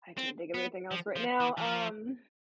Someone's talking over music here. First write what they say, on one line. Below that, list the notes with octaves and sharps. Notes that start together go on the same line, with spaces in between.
I can't think of anything else right now. Um,
C4
B3
F3
F3
E3
E3
F3